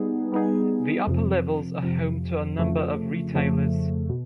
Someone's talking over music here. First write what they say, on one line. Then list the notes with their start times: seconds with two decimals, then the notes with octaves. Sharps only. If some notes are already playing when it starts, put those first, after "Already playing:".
The upper levels are home to a number of retailers.
Already playing: G3 B3 D#4 G#4
0.32 G3 B3 D#4 G#4
1.07 F2 C3 F3
1.83 F2 C3 F3
2.58 F2 C#3 F3 A3
3.34 F2 C#3 F3 A3
4.10 B2